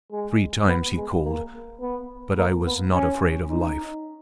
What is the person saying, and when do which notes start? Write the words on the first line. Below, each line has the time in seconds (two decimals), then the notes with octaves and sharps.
Three times he called--but I was not afraid of life.
0.12 G#3
0.68 B3
0.97 G#3
1.25 A#3
1.81 B3
2.37 A#3
2.65 B3
2.93 C#4
3.50 D#4